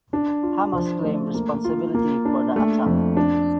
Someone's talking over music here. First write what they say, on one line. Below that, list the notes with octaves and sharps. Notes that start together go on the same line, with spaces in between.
Hamas claimed responsibility for the attack.
D4
F4
F3
A3
A#3
F4
A#3
D4
A3
F2
D4